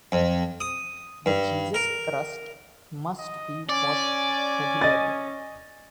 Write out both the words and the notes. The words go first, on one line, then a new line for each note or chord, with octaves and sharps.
The cheese's crust must be washed regularly.
F2
D#6
G2
A#4
D#5
C#4 D5 G#5
D#5 A6